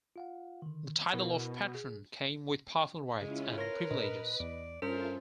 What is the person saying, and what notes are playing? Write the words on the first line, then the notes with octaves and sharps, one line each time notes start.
The title of patroon came with powerful rights and privileges.
F4 F5 F#5
D3 D#3
B2 B3 E4 A#4
G#4
C#3 G#3 C#4 E4 F4
A#4 B4 C#5 C6 A#6
A#2 D4 D#5
E2 D5
G2 C#4 F4 A4 A#4 C5 E5 C6